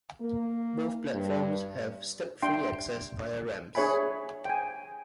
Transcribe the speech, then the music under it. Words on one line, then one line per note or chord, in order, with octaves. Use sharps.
Both platforms have step-free access via ramps.
A#3
G2
D4 E5 G5 C6
D4 G#4 C#5 E5 G#5 B5
G5 G#5